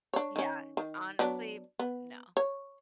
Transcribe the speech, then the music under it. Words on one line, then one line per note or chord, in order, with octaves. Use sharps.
Yeah. Honestly, no.
D4 C#5
D#3 C#4
D#3
F#3 B3 D4
B3
C#5